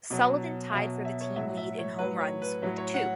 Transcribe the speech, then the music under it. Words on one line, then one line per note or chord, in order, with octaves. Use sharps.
Sullivan tied for the team lead in home runs with two.
B2 F#3
B2 F#3 E5
E5
C#5
A2 F#3 E5
E5
C#5
A2 F#3 B4
C#5
B4
A2 F#3
C#5
F#5